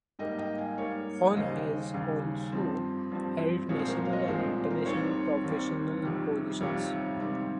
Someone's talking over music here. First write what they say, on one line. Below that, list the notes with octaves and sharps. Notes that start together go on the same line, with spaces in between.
Horn has also held national and international professional positions.
G#2 G3 A#3 D#5 G5
D#5 G5
F5 G#5
G#2 G3 A#3 C#5 F5
D#2 C#3 G3 C5 D#5
D#2 C#3 G3
G2 F3 C4
G2 F3 C4
C2 A#2 F3 G#3 C4 C#5
C5
A#4 C#5
F5
D#5
C#5
C2 A#2 F3 G#3 C4 C5
A#4
C5
D#2 D#3 G3 C4 A#4 C#5
D#2 D#3 G3 C4
F2 C3 D#3 G3
F2 C3 D#3 G3 C#5 F5
G#2 D#3 G3 C4